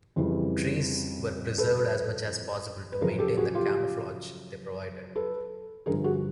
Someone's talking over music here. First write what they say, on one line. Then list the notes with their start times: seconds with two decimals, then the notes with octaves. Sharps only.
Trees were preserved as much as possible to maintain the camouflage they provided.
0.16 F2 C#3 E3 G3
1.58 A4 B4
2.92 B4
3.01 F#2 C#3 F3 G#4 A#4
3.19 G4 A4
3.37 F#4 G#4
3.55 F4 G4
5.15 A4 B4
5.86 G2 D3 F3 G#4 A#4
6.04 F#4 G#4